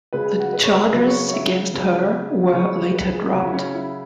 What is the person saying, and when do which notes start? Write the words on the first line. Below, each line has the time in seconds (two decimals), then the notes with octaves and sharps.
The charges against her were later dropped.
0.13 C#3 G#3 B4
0.26 G#4
0.40 F#4
0.53 B4
0.63 C#5
0.73 B4
0.84 G#4
0.93 C#3 F#3 B4
1.07 C#5
1.28 C#5
1.33 E5
1.74 C#3 F#3
2.53 C#3 F#3 C#5
2.74 C#5
2.93 B4
3.14 G#4
3.34 C#3 F#3 F#4
3.47 E4
3.54 C#4
3.74 E4